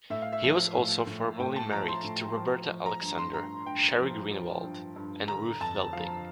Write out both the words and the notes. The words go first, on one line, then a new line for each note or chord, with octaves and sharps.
He was also formerly married to Roberta Alexander, Sheri Greenawald and Ruth Welting.
A2 E5
F5
E5
F3
A2
A2
A2 G5
A5
F3 A#5
C6
A2
F3
F3
A#5
G2
C6
G2 A#5
G2 G5
F3
F3
G2
G2
D3 A#5
F2 A5
F3 F5